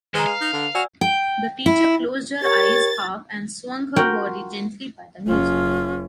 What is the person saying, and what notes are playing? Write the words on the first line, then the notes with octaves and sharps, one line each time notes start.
The teacher closed her eyes half and swung her body gently by the music.
D#3 G#3 B4 A#5
F5
D#4
D3
F#4 D5 G#5 E6
G5
E4
G4 A#4 C#5 A6
F4 F#4 A#4 G5
F#1 C#4 F4